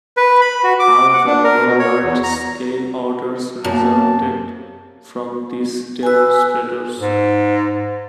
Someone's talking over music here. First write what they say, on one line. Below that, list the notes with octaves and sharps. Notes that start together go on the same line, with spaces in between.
However, no large scale orders resulted from these demonstrators.
B4
B5
F#4
D6
F#5
D4
A#4
B2
C#5
E2
A#5
F#2 A#3 A5
B4 G#5 E6
G#2